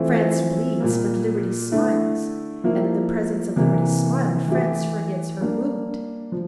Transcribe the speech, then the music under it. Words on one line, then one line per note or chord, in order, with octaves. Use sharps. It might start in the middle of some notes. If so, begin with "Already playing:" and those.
France bleeds, but liberty smiles; and in the presence of liberty's smile, France forgets her wound.
Already playing: E3 A3 C4 F4 A4
A#2 G3 A#3
D3 A3 E4
F3 A#3 E4
C3 E3 A#3
E3 A3 E4 G4
G3 A#3 D4
F3